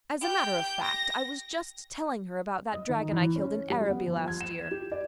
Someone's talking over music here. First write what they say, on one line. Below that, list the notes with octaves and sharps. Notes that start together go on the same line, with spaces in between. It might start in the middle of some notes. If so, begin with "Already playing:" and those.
"As a matter of fact I was just telling her about that dragon I killed in Araby last year."
G4 G6
A#6
D#5
D#3
E3
C#4
G3
B3
F3
G#6
E7
G4
D5